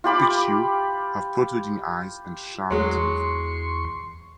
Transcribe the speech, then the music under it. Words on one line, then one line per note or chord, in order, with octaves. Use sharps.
Pixiu have protruding eyes and sharp teeth.
F4 G4 B5 D6
E2 F#3 G#3 C6 C#6